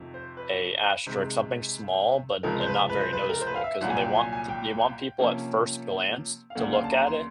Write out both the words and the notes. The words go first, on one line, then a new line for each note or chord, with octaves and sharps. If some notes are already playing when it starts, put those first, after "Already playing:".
a asterisk, something small but and not very noticeable 'cause then they want th they want people at first glance to look at it
Already playing: F2 C3 D#3
C5
B4
C3 D#3 G#3 C4
C#2 C3 F3 G#3 A#4
C5
B4
B4
C5
B4
A#4
C5
B4
F5
E5
C2 A#2 F#3 F#5
G#5
G5
G#5
G#5
G5
C3 F3 A#3 C#4
F5
D2 C#3 F#3 A#3 D4 F#5
F5
A5
A#5
C6